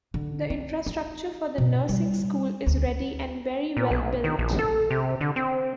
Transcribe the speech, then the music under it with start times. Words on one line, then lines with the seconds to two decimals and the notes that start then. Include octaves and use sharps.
The infrastructure for the nursing school is ready and very well built.
0.14 D3
0.50 C4
0.86 D#4
1.58 B2
1.89 G3
2.66 D2
3.77 A#2
3.91 B1
4.24 D#3
4.39 A#1
4.59 A4
4.91 C3
5.21 D3
5.36 C4